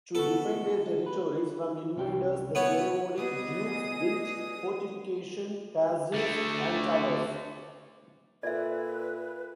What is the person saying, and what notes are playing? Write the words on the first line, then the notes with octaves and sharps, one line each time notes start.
To defend their territories from invaders the Slavonic dukes built fortification castles and towers.
B3 F#4 A4
B4
C2 C#4 G5
B3 E4 B4 C#5
G3 B3 G#4 D#5 G#5 D#6
D3 A3
A#2 A4 B4 D5 E5